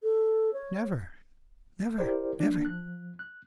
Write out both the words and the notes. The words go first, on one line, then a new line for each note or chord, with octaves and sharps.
"Never, never, never!"
A4
C#5
E4 G4 A#4 C5 D5
A#3 D4
F3 F#6
F#6